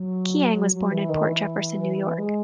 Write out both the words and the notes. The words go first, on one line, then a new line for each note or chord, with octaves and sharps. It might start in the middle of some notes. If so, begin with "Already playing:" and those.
Chiang was born in Port Jefferson, New York.
Already playing: F#3
F#3
E3
D#3
E3
G#3